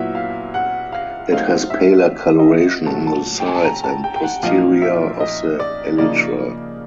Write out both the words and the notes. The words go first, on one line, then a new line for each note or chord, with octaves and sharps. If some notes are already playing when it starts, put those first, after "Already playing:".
It has paler colouration on the sides and posterior of the elytra.
Already playing: A#2 F#3 B3 E4 E5
F5
F#5
F5
F#3 A3 C4 D#4 F5
E5
D#5
E5
A#2 F#3 A3 A5
A5
G5
G#5
A5
A#5
A5
G5
G5
F#5
A#2 F3 A#3 D#4 F5
E5
D#5
D5
C#3 F3 A#3 D#4 D5